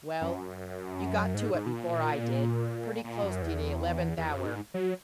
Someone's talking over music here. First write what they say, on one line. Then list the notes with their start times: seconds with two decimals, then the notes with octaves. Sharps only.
Well, you got to it before I did--pretty close to the eleventh hour!
0.21 F#2
1.34 G#2
1.54 G#2
1.66 B2
1.72 A#2
3.04 A#2
3.24 F#2
3.42 E2
4.18 E2
4.32 F#2
4.46 G#2
4.74 F#3